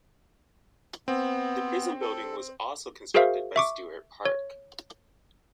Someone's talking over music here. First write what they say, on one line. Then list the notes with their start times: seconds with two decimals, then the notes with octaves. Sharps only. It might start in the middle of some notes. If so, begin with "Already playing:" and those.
The prison building was also constructed by Stuart Park.
1.08 B3 C4
2.01 A4
3.14 F#4 G#4 A#4 C5 E5 F5
3.56 E5 C#6 D6
4.25 C#5